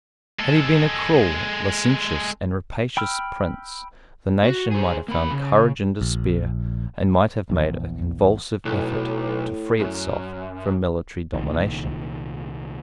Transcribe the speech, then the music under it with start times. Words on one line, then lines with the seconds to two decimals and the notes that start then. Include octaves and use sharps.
Had he been a cruel, licentious, and rapacious prince, the nation might have found courage in despair, and might have made a convulsive effort to free itself from military domination.
0.40 G#3 A4
2.97 G5 B5 E6 F6
4.44 F#4
4.71 G#4 C5
5.08 A#3 B5
5.31 C#3
6.01 A#1
7.50 A#1 E2
8.65 B1 A2
9.79 F#2
11.33 C2 A#2 D#3